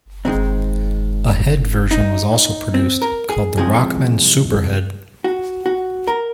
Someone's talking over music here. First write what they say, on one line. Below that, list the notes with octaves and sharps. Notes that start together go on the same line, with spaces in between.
A head version was also produced, called the Rockman Superhead.
G#2 D#3 G#3 C4
D#4
C4
A#4
G#4
C2 C3 F3 G#3 G#4
F#4
F#4
A#4